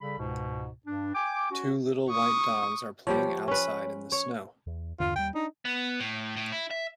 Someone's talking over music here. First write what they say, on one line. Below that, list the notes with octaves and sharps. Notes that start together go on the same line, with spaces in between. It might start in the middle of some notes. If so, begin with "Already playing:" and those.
Two little white dogs are playing outside in the snow.
C#3 G3 A4 B5
C#2 G#2 B2
G2 D4
G5 G#5 D6
C#4 F#4
C#6 D#6
F3 G3 G4 C#5
C#4 B4
C#5
E2
E2 G2 D3 F4
D#2 G3 G5
D4 D#4
B3
A2
A2
E4
E5